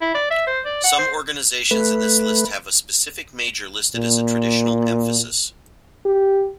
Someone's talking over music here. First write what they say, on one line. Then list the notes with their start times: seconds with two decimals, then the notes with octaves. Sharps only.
Some organizations in this list have a specific major listed as a traditional emphasis.
0.01 E4
0.15 D5
0.31 E5
0.47 C5
0.66 D5
0.84 F#5
0.99 C5
1.71 A3 B4
3.95 A#2
6.06 G4